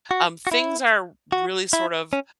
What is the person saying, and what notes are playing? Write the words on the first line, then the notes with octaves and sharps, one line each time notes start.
um, things are really sort of
F#4
F#4
E4
F#4
E4
C#4